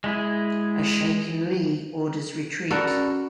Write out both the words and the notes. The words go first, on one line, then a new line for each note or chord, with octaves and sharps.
A shaken Lee orders retreat.
G#3 E4 G#4
C#4 F#4 A4 A#4 D5 B5